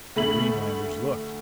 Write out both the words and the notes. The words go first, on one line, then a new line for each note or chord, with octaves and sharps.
The Greenlanders looked.
D2 A3 B5 B6 F#7